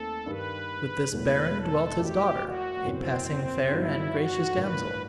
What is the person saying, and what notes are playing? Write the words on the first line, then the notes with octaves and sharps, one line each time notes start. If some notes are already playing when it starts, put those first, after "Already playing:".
With this baron dwelt his daughter, a passing fair and gracious damsel.
Already playing: D#2 A3 C4 A4
G2 D#3 G3 B4
E1 E2 B2 F#3 A3 B4
A4
F#2 F#3 A3 E4 G4
F#4
F#1 E2 B2 F#3 C4
G1 G2 F#3 B3 D#4 E4
F#4
A1 G2 D#3 B4